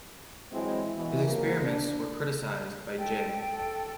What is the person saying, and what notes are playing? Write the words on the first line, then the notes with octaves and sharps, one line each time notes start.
His experiments were criticised by J.
E3 F#3 G#3 C4 E4
B2 E3
G#2 F#3 A#3
D4
A4 G5
A4